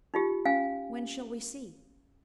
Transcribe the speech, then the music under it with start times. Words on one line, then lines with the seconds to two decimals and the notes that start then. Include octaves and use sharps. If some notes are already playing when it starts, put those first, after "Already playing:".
"When shall we see?"
0.14 D#4 F4 G4
0.45 C#4 F5 G#5